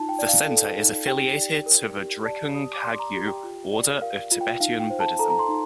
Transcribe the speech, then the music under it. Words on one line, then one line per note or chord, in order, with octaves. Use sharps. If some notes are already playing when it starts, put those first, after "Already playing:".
The Center is affiliated to the Drikung Kagyu order of Tibetan Buddhism.
Already playing: D#4 F4 A5
G5
D5
F5
A4
D#4
G4 G5
D5
A#4
G4
D5 A5
G4 D#6
D6
D5 C6
A#5
G4
G5
F4
D5
A#4 F5
F4
G5
D#4 F5
G5
C5
A5
A4 A#5
A#5
C6
D#4